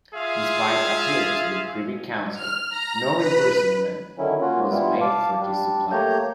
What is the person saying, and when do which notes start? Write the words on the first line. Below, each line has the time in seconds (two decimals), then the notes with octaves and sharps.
Despite appeals to the Privy Council no reimbursement was made for these supplies.
0.14 F4 G#4 E5 F5
2.34 F6
2.70 A#5
3.17 B4
4.18 D3 D#3 F#3 C#4 E4
4.41 A#3 C#4 F4 F#4
4.71 E3 G3 B3 E4 F4
5.01 F5 A5 D6
5.39 G3 D4
5.92 A3 A#3 G4 C#5 A#5 G6